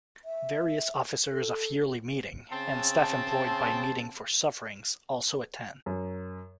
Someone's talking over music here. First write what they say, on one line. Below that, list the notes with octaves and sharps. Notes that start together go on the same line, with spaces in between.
Various officers of Yearly Meeting, and staff employed by Meeting for Sufferings, also attend.
E5
A4
C#3 C4 A5
F#2